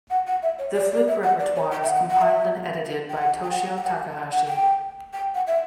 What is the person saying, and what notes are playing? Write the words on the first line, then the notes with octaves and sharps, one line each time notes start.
The flute repertoire is compiled and edited by Toshio Takahashi.
F#5
F#5
E5
C#5
D5
D5
E5
F#5
D5
C#5
G5
E5
F#5
F#5
E5
G5
F#5
G5
F#5
G5
F#5
F#5
G5
G5
F#5
E5